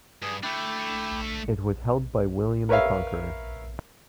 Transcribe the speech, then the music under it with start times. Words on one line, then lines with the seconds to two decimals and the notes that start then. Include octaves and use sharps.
It was held by William the Conqueror.
0.22 G2 G#4 G#5
0.43 A3 D4 E4 G5 D6
2.69 A#4 B4 C#5 E5 F5